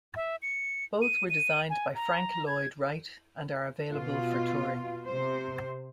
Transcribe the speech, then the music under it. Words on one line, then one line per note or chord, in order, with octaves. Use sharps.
Both were designed by Frank Lloyd Wright and are available for touring.
E5
C#7
D#7
D#7
G#5
A#5
G#6
B2 F4
C3 C5